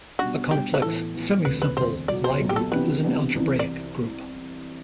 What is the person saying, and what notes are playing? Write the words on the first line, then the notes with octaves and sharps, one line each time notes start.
A complex semisimple Lie group is an algebraic group.
B2 G3 D4 F#4
B2 G3 D4 G4
B4
A2 E3 B3 A4
A2 E3 B3
E1 D2 C3 B4
B4
E1 D2 C3 C5
B1 B2 F#3 D5
C5
B1 B2 F#3
G4
A4
C3 E3 B3 D4 G4 B4
C3 E3 B3 D4 G4
C2 C3 E3
D5